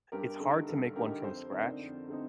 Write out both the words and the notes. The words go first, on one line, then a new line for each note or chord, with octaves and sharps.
it's hard to make one from scratch.
G2 G4 A#4
D3 A3 D#4 A4
G2 A4
D3 A3 D#4 G4 A#4
F2 A4 C5
D3 A3 C4 D#4 A#4 D5
F2
D3 A3 C4 D#4